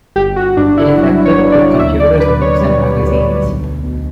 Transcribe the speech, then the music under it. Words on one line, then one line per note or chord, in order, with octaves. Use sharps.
It is equipped with computers, books and magazines.
G1 G4
F#4
G2 D4
E4
F#3 F#4
C#5
A#3
D5
D2 E5
D5
D3 B4
C#5
G3
D2
B1
B2